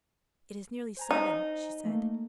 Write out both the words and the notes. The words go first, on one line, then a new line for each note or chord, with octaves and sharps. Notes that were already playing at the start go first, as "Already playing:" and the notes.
'It is nearly seven,' she said.
C5 G#5 A#5
D#4
A3 A#3